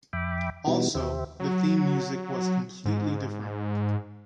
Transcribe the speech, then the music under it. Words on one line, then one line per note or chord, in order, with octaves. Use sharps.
Also, the theme music was completely different.
F2 E5 G5 B5 D6
B2 E3 G3 B3 D#4 F#4
D#2 G4 C5 E5
F#3
G#2